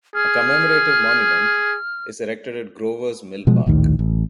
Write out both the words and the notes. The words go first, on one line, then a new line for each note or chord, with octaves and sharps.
A commemorative monument is erected at Grover's Mill park.
G#4 F6
B2 F3 F#3 G#3
A#1 D#2 A2 D#3
A1